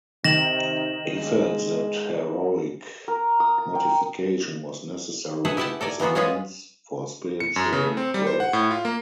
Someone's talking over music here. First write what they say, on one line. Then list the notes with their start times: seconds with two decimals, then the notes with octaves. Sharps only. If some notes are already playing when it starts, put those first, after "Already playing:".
He felt that heroic mortification was necessary as a means for spiritual growth.
0.24 C3 D#3 A#6 E7 F#7
1.17 G#3
3.08 A#4
3.40 D#6
3.58 A#5
3.75 G5
5.45 A3 G#4 B4 E5 F#5
5.57 E4 G4 E5 F#5 G5 A5
5.81 A4 A#4 D5 G#5
6.00 E3 A#3 B3 F4 F#4
6.15 G#3 B3 C#4 F4 G#4 B4
7.40 C#7
7.56 F#2
7.73 C#3
7.85 A3
7.97 C4
8.14 G3
8.27 C5
8.40 F#5
8.53 A2
8.71 F4
8.85 A#3